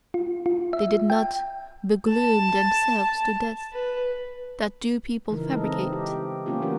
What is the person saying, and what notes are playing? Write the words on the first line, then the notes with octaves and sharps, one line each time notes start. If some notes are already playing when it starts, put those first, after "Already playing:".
They did not "begloom" themselves to death--that do people fabricate!
F4
F4
E5
G5
A5
B4
C#3 E3 D#4 A#4
G#3 D#4 A4
C4
G4
F#3 A#3 B3 C#4 F4 G4
E3 A3 C#4 D4 F#4 A#4